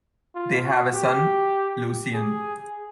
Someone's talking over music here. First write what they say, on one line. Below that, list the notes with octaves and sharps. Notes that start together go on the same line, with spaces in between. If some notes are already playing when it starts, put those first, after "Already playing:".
They have a son, Lucien.
F4
F#4
G4
G#4